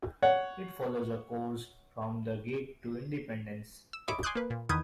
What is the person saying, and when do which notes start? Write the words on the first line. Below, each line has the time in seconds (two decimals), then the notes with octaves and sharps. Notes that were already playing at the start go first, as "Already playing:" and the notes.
It follows a course from the gate to Independence.
0.22 C#5 F#5
3.93 E6
4.08 C#5 D#5 E5 B5 D6
4.23 G#5 C6 D6 D#6 F#6 G6
4.35 A#3 B4
4.50 A#2
4.69 E2 D#3 B4 D#6 G6 G#6